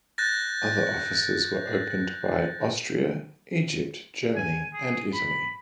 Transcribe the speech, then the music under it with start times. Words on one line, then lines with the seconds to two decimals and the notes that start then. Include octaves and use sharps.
Other offices were opened by Austria, Egypt, Germany and Italy.
0.18 F#6 G6 A6 A#6
4.36 G#5
4.73 G#4
5.13 B5